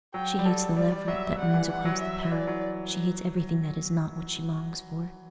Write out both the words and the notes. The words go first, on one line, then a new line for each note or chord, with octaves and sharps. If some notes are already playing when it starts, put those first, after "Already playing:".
She hates the leveret that runs across the path; she hates everything that is not what she longs for.
F#3 G5
G3
F#3 A4
G3 D5
G3
F#3 E5
G3 F#5
E3
E3 F#5
F#3
E5
E3 D5
F#3